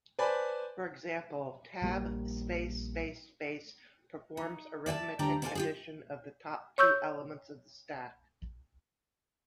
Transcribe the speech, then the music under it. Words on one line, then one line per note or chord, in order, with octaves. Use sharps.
For example, tab-space-space-space performs arithmetic addition of the top two elements on the stack.
B4 C5 D5 G#5 A5 B5
A#1 G3 A#3
D#4
D5 E5 G5 A5
D2 G3 D4 G4 G5 A#5
B3 C4 G4 A4 F5 G#5
F4 G4 G#4
C#5 C#6 E6 G6